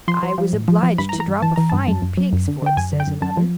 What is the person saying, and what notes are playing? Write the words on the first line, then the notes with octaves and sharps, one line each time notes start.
"I was obliged to drop a fine pig's foot," says another.
F3 C6
F3
F3
A2
F3
F3
G2 B5
A#5
E3
A#5
G2
E3 A5
E3 A#5
G2 A5
F#2
F#2
F#3
F#2
D3
D3 G5
F#2 G#5
D3
G5
F#2
F#2 A5
F3